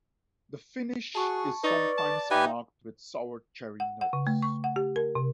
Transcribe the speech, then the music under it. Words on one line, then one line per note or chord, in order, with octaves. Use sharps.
The finish is sometimes marked with sour-cherry notes.
F#4 G#4 A5 C#6
D#4 B4 D5 C#6 A6
A5
D#4 G4 B4 E5 G5 G#5
F#5
F#5
C#3
A3
C#6
F#5
G4
A#4
C3